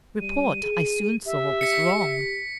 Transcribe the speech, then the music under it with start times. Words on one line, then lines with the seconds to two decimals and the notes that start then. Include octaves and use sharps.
Report, I soon saw, was wrong.
0.20 G3 D#7
0.63 G#4
1.25 G4 E5
1.61 B6 C#7